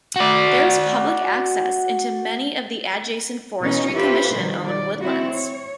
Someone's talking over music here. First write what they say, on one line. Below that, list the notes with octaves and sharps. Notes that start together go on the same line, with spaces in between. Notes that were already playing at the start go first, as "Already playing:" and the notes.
There is public access into many of the adjacent Forestry Commission owned woodlands.
F#4 D5
B2 E3 C#4 D#4 C#5
E4 F4 G4 A4 B4 C5
B2 D#3 F3 G3
D5
C4 E4 F#4
C#5